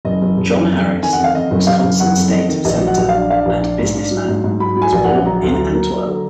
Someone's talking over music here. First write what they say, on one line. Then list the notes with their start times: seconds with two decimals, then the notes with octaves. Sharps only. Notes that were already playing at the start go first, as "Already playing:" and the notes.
John Harris, Wisconsin State Senator and businessman, was born in Antwerp.
0.05 F#1 D#5
0.21 F#1
0.37 F#1
0.54 F#1
0.70 F2
0.86 F2
1.03 D#3 G#5
1.13 F#5
1.19 F2
1.24 F5
1.35 F2 D#5
1.51 F#1
1.67 F#1 F5
1.84 F#1
2.00 F#1 F#5
2.17 F2
2.32 F2 D#5
2.49 D#3
2.65 A#1 D#5
2.81 F#3
2.87 F#5
2.98 A#1
3.09 D4 F5
3.30 D4 F5
3.46 A#1
3.62 D4
3.79 G#2
3.96 D4
4.11 F#3
4.28 G#2
4.44 G#2
4.60 F#3 B5
4.76 F#3
4.82 G#5
4.93 A#1
5.04 A#1 F#5
5.26 F#3 A#5
5.42 D2
5.58 F#3
5.74 A#3
5.90 F#3
6.07 D3